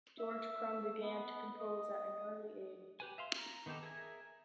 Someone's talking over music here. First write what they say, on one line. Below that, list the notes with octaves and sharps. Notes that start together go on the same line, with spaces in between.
George Crumb began to compose at an early age.
E5
B3
D#5
G4 B4 G#5
E5 F5 C6
A#5
D#3 B3 D#4 G4 A4
G#4 A#4 E5 G#5